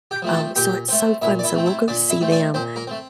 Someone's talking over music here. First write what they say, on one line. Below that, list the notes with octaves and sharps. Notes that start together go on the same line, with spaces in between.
Um, so it's so fun, so we'll go see them,
G4 G5
F3 A3 C4
A4 A5
A#2 G4 G5
A3 C4
A#2 E4 E5
D5
E4 E5
A3 C4
E4 E5
A#2 D4 D5
E4 E5
A3 C4
D4 D5
A#2 C4 C5
A#3 A#4
A3 C4